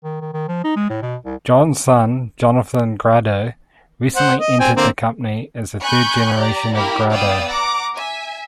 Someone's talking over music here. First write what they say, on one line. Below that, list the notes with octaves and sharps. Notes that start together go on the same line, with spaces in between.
John's son, Jonathan Grado, recently entered the company as the third generation of Grado.
D#3
D#3
D#3
F3
D#4
G#3
A2
B2
C2
C5 F#5
D#5
C4 G5 G#5
D3 A#3 C4
G#5 B5 C#6 F#6 G6
G4 D5 A#5
A#3 E4 G4 A#4 B5
B3 D5 F5 G5 D#6 E6
F#5 A#5 D6
E5 G#5